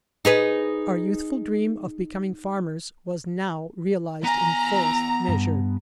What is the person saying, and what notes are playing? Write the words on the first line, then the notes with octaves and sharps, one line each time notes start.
OUR youthful dream of becoming farmers was now realized in fullest measure.
D#4 G#4 B4
B3 G#5 A#5
G2